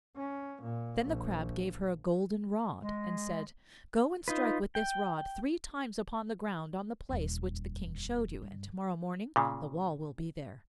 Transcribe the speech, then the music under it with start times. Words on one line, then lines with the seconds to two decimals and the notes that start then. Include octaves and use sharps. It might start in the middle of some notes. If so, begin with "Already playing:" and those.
Then the Crab gave her a golden rod, and said, 'Go and strike with this rod three times upon the ground on the place which the King showed you, and to-morrow morning the wall will be there.'
0.16 C#4
0.63 A#2
1.04 A#1
2.81 G#3
4.28 D#4 F4 B4
4.75 G5
7.09 D#1 F2
8.42 G2
9.36 A#2 C#3